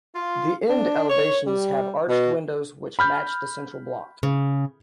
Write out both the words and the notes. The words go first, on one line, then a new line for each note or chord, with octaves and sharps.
The end elevations have arched windows which match the central block.
F4
D4
C#5
G3
B2
B5 F6 G6
C#3